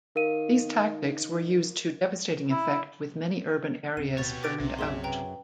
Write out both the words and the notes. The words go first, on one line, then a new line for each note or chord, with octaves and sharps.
These tactics were used to devastating effect with many urban areas burned out.
D#3 A#4 F5 D#7
E4
D1 C4 D#7
B2 G4 C#5 A6
D6 A6 D7
B1 C3
F#2 G#4 E5 C6
B4 G5 A#5